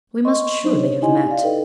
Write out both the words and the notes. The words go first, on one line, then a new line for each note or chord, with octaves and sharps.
'We must surely have met.
D#5 C6 C#6
F#3 C4 D4 D#4 C5
C#5
D#4 E4 G4 D#5 G#5 C6
D5 F5
D#4 A4 B4 D#5 G5